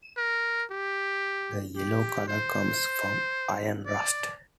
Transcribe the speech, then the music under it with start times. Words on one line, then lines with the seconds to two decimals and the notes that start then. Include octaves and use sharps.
The yellow color comes from iron rust.
0.17 A#4
0.71 G4
1.76 G4
2.28 C5
3.86 D5